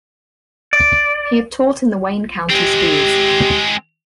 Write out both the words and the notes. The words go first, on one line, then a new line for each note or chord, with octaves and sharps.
He had taught in the Wayne County schools.
D5
G#3 C4 G4